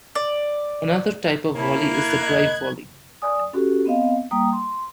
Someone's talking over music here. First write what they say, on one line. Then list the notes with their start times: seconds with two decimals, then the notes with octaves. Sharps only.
Another type of volley is the drive volley.
0.15 D5
1.55 A#3 E4 C#5 A5 B5
1.93 B5 F#6 G#6
2.24 D#5
3.22 D5 G#5 D#6
3.53 C#4 F#4 G4 A4
3.86 B3 C4 D#5 F5
4.31 G3 A#3 G5 A#5 D#6
4.53 C6